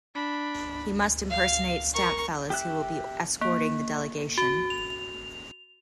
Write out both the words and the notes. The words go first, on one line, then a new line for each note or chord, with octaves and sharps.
He must impersonate Stampfel, as he will be escorting the delegation.
D4 B5
F5
A#4 C#6
G4 E5 F#6
A#3
F#4
F7